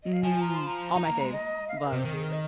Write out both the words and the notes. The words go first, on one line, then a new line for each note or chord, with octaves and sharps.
Mm, all my faves. Love.
D#5
F5
F3 G#5
A#5
C6
A#5
D#4
A#3
G#3
D#5
F5
D#5
A#4
C3 C5
D#3 A#4
G#4
A#4
D#5